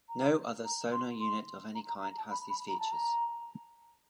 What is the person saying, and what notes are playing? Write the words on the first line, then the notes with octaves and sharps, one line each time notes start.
No other sonar unit of any kind had these features.
A#5
A#5
C6
C6
A#5
A#5
A#5
A5
B5
B5
A#5
A5
A#5